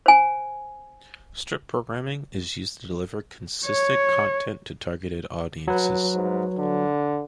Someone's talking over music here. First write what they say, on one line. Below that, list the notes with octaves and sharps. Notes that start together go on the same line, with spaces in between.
Strip programming is used to deliver consistent content to targeted audiences.
C5 G#5
C#5
F#3 B4
G#2
D3